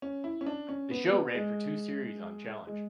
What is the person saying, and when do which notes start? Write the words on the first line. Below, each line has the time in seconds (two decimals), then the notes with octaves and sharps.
The show ran for two series on Challenge.
0.02 C#4
0.24 E4
0.41 C#4
0.46 D4
0.69 C#4
0.91 B3
1.12 B3
1.35 G#3
2.67 G#3